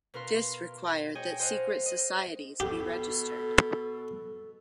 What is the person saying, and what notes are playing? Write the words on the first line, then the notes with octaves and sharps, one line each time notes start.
This required that secret societies be registered.
B2 A#4 B4 F5 C6
G#4 C#5 D#5 G5
C5 D#5 F5 F#5
D#5
B2 G4 A4